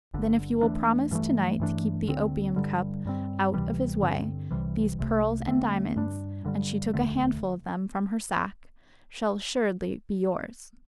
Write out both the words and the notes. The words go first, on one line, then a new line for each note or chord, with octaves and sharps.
"Then if you will promise to-night to keep the opium cup out of his way, these pearls and diamonds," and she took a handful of them from her sack, "shall assuredly be yours."
G1 G2 D3
E2 E3 A3 D4
G2 E3 A3
G2 E3 A3 D4
D2 D3 C4
G2 D3 G3
G2 G3 C4
D2 C3 E3 G3
G2 D3 C4
C2 C3 E3 G3
C2 C3 A3
E2 D3 A3 C4
G2 G3 D4
G2 D3 G3
E1 D2 D3 A3